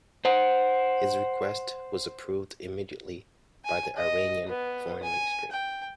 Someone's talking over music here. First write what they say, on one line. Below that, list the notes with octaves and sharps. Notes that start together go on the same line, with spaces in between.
His request was approved immediately by the Iranian Foreign Ministry.
C5 F#5
G#5
D#5
B3
G#5
G5